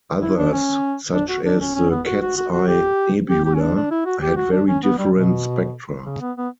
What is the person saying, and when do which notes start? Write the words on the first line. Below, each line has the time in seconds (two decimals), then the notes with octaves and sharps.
Others, such as the Cat's Eye Nebula, had very different spectra.
0.22 E4
0.37 D4
0.52 C#4
1.13 D4
1.29 F#4
1.45 D4
1.60 C#4
1.75 C#4
1.90 B3
2.06 F#4
2.21 F#4
2.37 F#4
2.53 F#4
2.67 G4
3.30 G4
3.45 G4
3.54 C#4
3.61 D4
3.75 D4
3.91 E4
4.06 F#4
4.22 G4
4.36 F#4
4.52 D4
4.68 C#4
4.83 B3
4.98 G3
5.14 B2
6.06 C#3
6.21 B3
6.37 B3